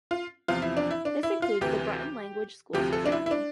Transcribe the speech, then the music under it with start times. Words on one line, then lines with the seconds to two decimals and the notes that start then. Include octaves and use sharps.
This includes the Breton language schools of Brittany.
0.11 F4
0.48 E2 C3 F3 F4
0.62 E4
0.77 D4
0.91 E4
1.05 D4
1.23 E4
1.42 F4
1.61 D2 C3 E3 G4
2.73 D2 C3 F3 G4
2.93 A4
3.06 D4
3.12 E4
3.26 E4
3.31 D4